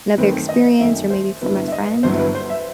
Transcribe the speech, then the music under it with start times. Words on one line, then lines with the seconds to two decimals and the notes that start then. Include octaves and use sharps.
another experience or maybe from a friend?
0.18 F#2 D#3 A3 C4 B4
0.49 D#5
0.79 F#2 D#3 A3 C4 E5
1.10 C5
1.41 G1 G2 F#3 B3 E4 B4
1.68 E5
1.72 D#5
2.03 G1 G2 F#3 B3 E4 C5
2.19 B4
2.35 C5
2.50 E5